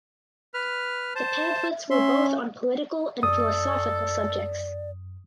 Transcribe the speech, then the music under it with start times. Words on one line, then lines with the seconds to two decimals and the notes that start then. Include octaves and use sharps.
The pamphlets were both on political and philosophical subjects.
0.54 B4 F6
1.15 C5 A5
1.90 C#4 E5 C6
3.23 F#2 A4 D5 D#6